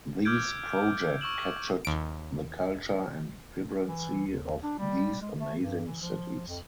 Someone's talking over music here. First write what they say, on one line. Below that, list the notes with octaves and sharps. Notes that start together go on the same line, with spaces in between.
These projects captured the culture and vibrancy of these amazing cities.
D6 E6 F6 G6 G#6 D7
C#6 E6 E7 F#7
D#2 D7
E3
D#2
D4
G3
G#3
A3
G2
E3
F3
F2